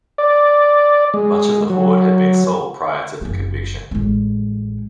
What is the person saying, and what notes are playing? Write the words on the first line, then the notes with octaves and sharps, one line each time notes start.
Much of the hoard had been sold prior to the conviction.
D5
G#3
F#3
F#1 A#3
A1 G#3